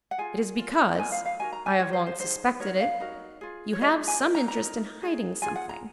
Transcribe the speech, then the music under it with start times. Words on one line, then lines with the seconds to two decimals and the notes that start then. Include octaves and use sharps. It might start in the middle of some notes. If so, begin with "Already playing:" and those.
It is because,--I have long suspected it,--you have some interest in hiding something.
0.11 F#5
0.18 F4 G#4 G#5
0.59 F4 A#4
0.99 F4 A#4 G#5
1.12 F5
1.26 F5
1.39 D#4 F#4 A#4 G#5
1.53 A#5
1.66 G#5
1.79 F4 G#4 C#5
1.93 C5
2.07 C5
2.19 D#4 G#4 C5
2.60 D#4 F#4 A#4 C#5
2.80 F5
3.00 D#4 F#4 A#4
3.41 F4 G#4
3.73 C#5
3.81 F4 G#4 D#5
4.08 G#5
4.22 D#4 A#4
4.35 A#5
4.48 A#5
4.61 D#4 A#4
5.02 D#4 G#4
5.42 F4 G#4 G#5
5.56 F#5
5.69 A#5